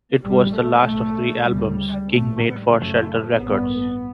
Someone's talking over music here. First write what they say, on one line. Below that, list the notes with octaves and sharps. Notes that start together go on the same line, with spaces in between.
It was the last of three albums King made for Shelter Records.
A1 G2 G3
A3
B1 A2 A3
D2 C#3 G3
A1 A2 A3
G3
F#1 F#2 C#3 A3
A1 G2 B3